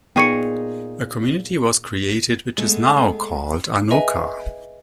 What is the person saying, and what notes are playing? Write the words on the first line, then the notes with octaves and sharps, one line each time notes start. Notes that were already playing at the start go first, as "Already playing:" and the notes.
A community was created which is now called Anoka.
A#2 B3 D#4 G#4 G5 C#6 C#7
G#3 A3 B3 G#4 A4 D#5
G#4 B4 D#5 E5 G#5